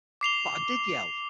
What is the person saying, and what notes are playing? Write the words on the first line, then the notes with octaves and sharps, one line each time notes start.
But I did yell.
D6 C7 F7 G7